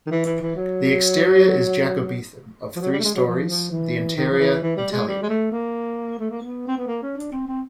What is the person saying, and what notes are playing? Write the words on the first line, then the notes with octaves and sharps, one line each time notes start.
The exterior is Jacobethan, of three storeys, the interior Italianate.
D#3
E3
E3
E3
F#3
F3
F#3
G3
A3
G#3
F#3
F3
F3
E3
D#3
F3
E3
E3
G3
G#3
G3
G#3
A3
A#3
A3
A#3
B3
C4
B3
A#3
C#4
D4
C4
C4